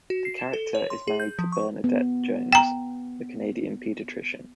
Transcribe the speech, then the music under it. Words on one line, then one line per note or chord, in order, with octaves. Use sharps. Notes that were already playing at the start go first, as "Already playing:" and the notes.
The character is married to Bernadette Jones, a Canadian pediatrician.
F#4
C7
E7
A4
C#5
C6
G#4
G6
F3
C#6
B3
G5 A#5